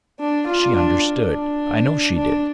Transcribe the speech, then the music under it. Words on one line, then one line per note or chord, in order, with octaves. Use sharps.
She understood, I know she did.
D4
F4
D4
D4
D4